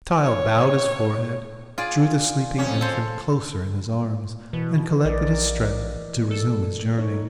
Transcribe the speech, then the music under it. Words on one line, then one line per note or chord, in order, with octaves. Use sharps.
The child bowed his forehead, drew the sleeping infant closer in his arms, and collected his strength to resume his journey.
C#5
F4 G#4 D5
F2 C#4
A4 C5
B2 E3
A#1 A#4 D5 D#5
A4
D#4 C#5